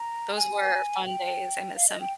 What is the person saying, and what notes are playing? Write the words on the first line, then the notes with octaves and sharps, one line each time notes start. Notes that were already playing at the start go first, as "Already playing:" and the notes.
those were fun days. I miss 'em.
Already playing: A#5
G#5
G5
F5
D#5
G5